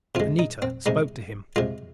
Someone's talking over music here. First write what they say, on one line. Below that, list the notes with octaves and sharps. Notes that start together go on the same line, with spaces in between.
Anita spoke to him.
C3 G#3 F4
D#4
C4
C3 G#3 D#4
C3 G#3 F4